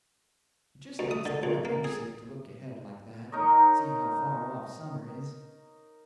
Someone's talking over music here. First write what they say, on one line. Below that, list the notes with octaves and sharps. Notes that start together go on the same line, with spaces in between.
It just makes a boy homesick to look ahead like that and see how far off summer is.
D2
D#6
D3
A#1
A#3
G#4
D#4 A#4 C#5 D#5